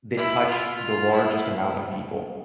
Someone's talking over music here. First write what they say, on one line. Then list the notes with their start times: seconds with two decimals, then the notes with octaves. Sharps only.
that touched the largest amount of people,
0.17 E4
0.48 F4
1.11 E4